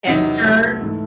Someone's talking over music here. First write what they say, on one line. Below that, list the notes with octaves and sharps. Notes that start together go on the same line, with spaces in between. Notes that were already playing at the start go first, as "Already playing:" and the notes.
and turn
E2 C3 F#3 D#4
C2 C3 F#3 A3
G#2 E3 A3